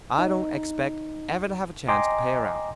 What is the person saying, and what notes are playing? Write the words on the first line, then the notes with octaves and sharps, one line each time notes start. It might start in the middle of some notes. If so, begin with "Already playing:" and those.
I don't expect ever to have a chance to pay her out.
D#4
D#5 G5 G#5 A#5 C6 D6